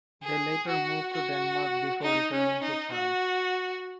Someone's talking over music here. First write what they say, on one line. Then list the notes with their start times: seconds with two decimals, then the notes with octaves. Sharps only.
They later moved to Denmark before returning to France.
0.23 G#4
0.68 F#4
1.13 F#4
2.03 D#4
2.33 C#4
2.63 D#4
2.93 F#4